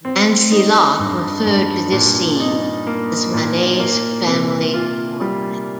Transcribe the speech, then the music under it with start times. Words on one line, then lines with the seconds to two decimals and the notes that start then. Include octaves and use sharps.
Nancy Locke referred to this scene as Manet's family portrait.
0.05 C4
0.52 D#4
0.99 G2
1.45 G2
1.92 A#2
2.40 D#4
2.87 A#3
3.34 A#2
3.80 A#3
4.27 C3
4.74 F4
5.21 G3